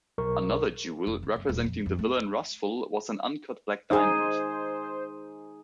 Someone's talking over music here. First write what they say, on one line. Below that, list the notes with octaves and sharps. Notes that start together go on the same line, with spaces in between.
Another jewel, representing the villain Rusful, was an uncut black diamond.
B1 A#4 C#6
F1
C3
F#1
D#1
F2
F2
A3
D#4 G#4 C5